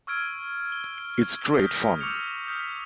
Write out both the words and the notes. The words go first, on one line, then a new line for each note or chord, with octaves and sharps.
It's great fun.
C#6 E6 F6 G#6 D7
G7
D#6 F6 G6 A#6 B6
C#6 D6 E6 G6 C#7 F7
D#6 F6 G6 B6